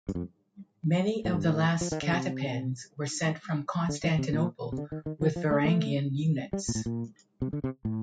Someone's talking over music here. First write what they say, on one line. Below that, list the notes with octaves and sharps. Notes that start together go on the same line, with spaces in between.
Many of the last catepans were sent from Constantinople with Varangian units.
G2
F2
A2
G2
A2
F3
D#3
D3
C3
D3
D#3
C3
A#2
C3
D3
D#3
D#3
F3
F3
A3
A3
G3
A#2
A2
A#2
C3
D3
C3
A2